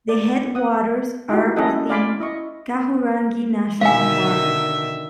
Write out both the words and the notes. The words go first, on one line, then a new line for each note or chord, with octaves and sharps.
The headwaters are within Kahurangi National Park.
D5
F#5 D#6
D#4 E4 F#4 G4
C#4 E4 G#4 A4 D#5 F#5
D5 F5 G#5 B5 C6 D6
E4 D#5 C#6
B2 D3 D#3 E5 F5 G#5